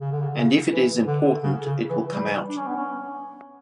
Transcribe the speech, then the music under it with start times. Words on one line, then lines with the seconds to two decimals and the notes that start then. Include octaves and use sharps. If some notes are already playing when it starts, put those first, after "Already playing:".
And if it is important it will come out.
0.01 C#3
0.12 D3
0.22 C#3
0.36 C#3
0.72 E3
1.07 D3
1.43 C#3
1.66 C#3
1.90 E3
2.13 G3
2.49 D4
2.57 C#4
2.67 B3
2.75 C#4